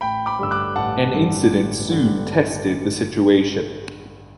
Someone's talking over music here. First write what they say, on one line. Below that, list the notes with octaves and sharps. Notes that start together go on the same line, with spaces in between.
An incident soon tested the situation.
A1 G5 B5
B5 D6
G2 D3 G3 E6
D6 F#6
A1 F#5 A5
G2 D3 G3
A1
G2 D3 G3